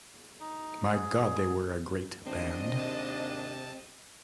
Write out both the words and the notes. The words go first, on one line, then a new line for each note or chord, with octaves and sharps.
My god, they were a great band!
D#4
G#4
G#1 D#2 C4 D4 D#5
C3 A5